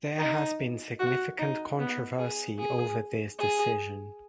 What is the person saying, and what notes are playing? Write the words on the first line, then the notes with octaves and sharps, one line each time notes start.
There has been significant controversy over this decision.
D#4
F#4
D#4
B3
G#4
G#4
G#4